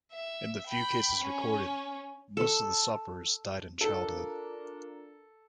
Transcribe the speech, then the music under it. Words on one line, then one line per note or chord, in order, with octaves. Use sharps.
In the few cases recorded, most of the sufferers died in childhood.
E5
G5 B5
C#4
A4
D4 F4 A4 A#4